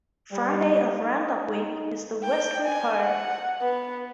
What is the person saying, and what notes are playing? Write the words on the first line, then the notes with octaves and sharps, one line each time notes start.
Friday of Round-Up week is the Westward Ho!
G3
D#4
G5
G#5
F#5
B3